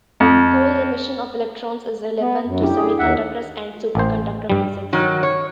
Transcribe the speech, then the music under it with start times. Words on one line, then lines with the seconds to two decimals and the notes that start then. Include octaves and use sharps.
Cold emission of electrons is relevant to semiconductors and superconductor physics.
0.20 F2
2.21 B3
2.46 F#2
2.61 D4 E4 G4
2.77 G#4
2.99 D#2 E5 F#5
3.95 A1 C5
4.50 G2 G3
4.93 D#3 F#3
5.23 C#5